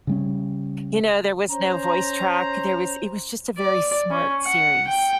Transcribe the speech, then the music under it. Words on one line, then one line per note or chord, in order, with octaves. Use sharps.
you know, there was no voice track. There was it was just a very smart series.
C#3 G3 C#4
C#4 C5 A#5
D5
C#4
F#5
G5